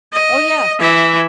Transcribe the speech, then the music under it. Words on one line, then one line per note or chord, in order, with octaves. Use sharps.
Oh, yeah.
D#5
E3 E5